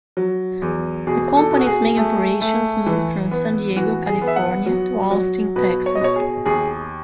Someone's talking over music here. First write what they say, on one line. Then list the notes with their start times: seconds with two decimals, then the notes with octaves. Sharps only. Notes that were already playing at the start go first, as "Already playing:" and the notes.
The company's main operations moved from San Diego, California to Austin, Texas.
0.17 F#3
0.62 E2
1.07 B2 G#4
1.37 A4
1.52 B2
1.59 F#4
1.67 G#4
1.97 A3
2.41 A3
2.86 E3
3.31 B3
3.76 E3 F#4
4.06 G#4
4.21 B3
4.27 E5
4.36 F#5
4.66 F#3
5.11 F#3
5.56 B2 B4
5.86 C#5
5.95 D#5
6.01 B2 C#5
6.16 G#4
6.46 D#2 G#4